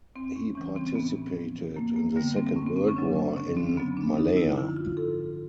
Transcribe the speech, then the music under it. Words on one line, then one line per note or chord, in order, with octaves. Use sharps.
He participated in the Second World War in Malaya.
E2 C4
C#4
C#3 E3 G3 C#4
C4
C4
A2 B3
F3
F#2 A#3
A#3
D3 G3 B3
C4
F#2 C#4
C4
C#4
C#4
C#3 F#3 D4
C#4
F#2 C#4
C4
D3 F#3 B3
D4
F#2 D#4
E4
D3 F3 E4
F4
G#2 A4